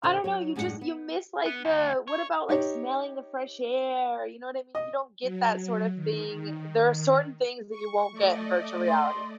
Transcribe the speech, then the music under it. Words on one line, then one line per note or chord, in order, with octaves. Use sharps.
I don't know, you just you miss, like, the what about, like, smelling the fresh air? You know what I mean? You don't get that sort of thing. There are certain things that you won't get in virtual reality.
A#2 D3 C5 E5
F#3 C#5
F#2 A2 G#3 D4 G#4 F#5
B3
B3
D2
C#5
D#4 G4 C#5
D#5
F#3
D#3
C#6
A3 D5 D#5
C6